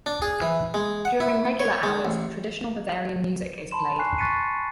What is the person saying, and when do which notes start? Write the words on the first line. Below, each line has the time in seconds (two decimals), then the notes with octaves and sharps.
During regular hours traditional Bavarian music is played.
0.06 D4
0.22 G#4
0.42 E3
0.74 G#3
1.05 F#5
1.20 E4
1.60 C#5
1.83 G#3
2.05 A1
3.71 A5 B5 C6 E7
3.98 G#5 C#6 F#6 C7
4.18 C#6 F#6 A6 B6 C#7 D#7